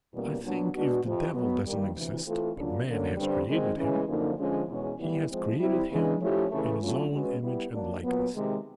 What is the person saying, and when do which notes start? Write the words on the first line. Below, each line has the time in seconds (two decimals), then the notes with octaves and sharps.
"I think if the devil doesn't exist, but man has created him, he has created him in his own image and likeness."
0.13 E2 B2 G3 A#3 C#4
0.43 A#2 F#3 B3 D4
0.74 G#3 B3 D4 F#4
1.04 F2 C3 F3
1.34 B2 F#3 B3
1.65 G2 D#3 G3 A#3
1.94 D2 C3 E3
2.25 E3 A3 C4 F4 A4
2.56 C#3 F#3 A#3 D4 F4
2.86 D2 D3 F#3 A#3 C#4
3.17 G2 D3 G3 C4
3.47 F#2 D#3 G#3 C4 D#4
3.77 C#3 E3 G#3 C#4
4.07 F#2 D3 F3 A#3 D#4
4.38 D3 F3 G#3 C#4
4.68 E2 B2 G#3 C#4
4.98 A2 E3 G3 B3 E4
5.29 F3 G#3 C4
5.59 G3 C4 E4
5.89 C#3 E3 G#3 B3 D4
6.20 F3 A3 C#4 E4 G4
6.51 C#3 E3 A3
6.81 D3 F#3 A3 C#4 F4
7.12 G#3 C#4 F#4 B4
7.41 G3 B3 E4 G4
7.72 F#3 A#3 D4
8.03 A#2 F#3 B3
8.32 C3 D#3 G#3